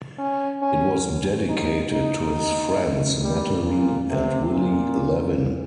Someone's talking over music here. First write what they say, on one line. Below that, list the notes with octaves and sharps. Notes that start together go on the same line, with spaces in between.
It was dedicated to his friends Natalie and Willy Levin.
C#4
C#4
D#4
D#4
G3
A#2
C3
A#2